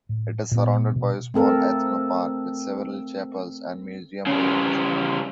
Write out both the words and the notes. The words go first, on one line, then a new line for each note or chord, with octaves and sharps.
It is surrounded by a small ethno-park with several chapels and museum rooms.
A2
A#2 B3
B2
A3 C4 A4 A#4
C#3 G3